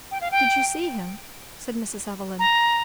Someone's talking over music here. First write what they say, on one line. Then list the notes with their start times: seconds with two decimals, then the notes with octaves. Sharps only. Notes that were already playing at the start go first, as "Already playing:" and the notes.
"Did you see him?" said Mrs. Evelyn.
0.11 G5
0.21 F5
0.31 G5
2.39 A#5